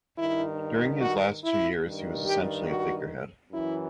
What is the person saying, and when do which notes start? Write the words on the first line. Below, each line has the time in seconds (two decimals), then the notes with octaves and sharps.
During his last two years he was essentially a figurehead.
0.18 G2 D#3 E4
1.01 F#4
1.43 E4
1.84 G2 D#3
2.26 G4
2.69 F#4
3.52 F#2 E3 E4